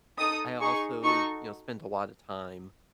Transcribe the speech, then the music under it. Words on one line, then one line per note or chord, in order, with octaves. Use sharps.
I also, you know, spent a lotta time,
D#4 A4 D#6
D#4 G#4 C#6
D#4 F#4 A4 C#6